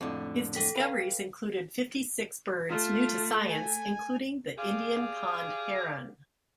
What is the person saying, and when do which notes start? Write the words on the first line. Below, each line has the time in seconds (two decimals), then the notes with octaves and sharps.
His discoveries included fifty-six birds new to science, including the Indian pond heron.
0.01 F2 A2 D3
0.55 A4 G5 B6
0.76 B4 F5
2.69 A3 F4
3.49 G#5
4.57 G4 G#4 D5 F5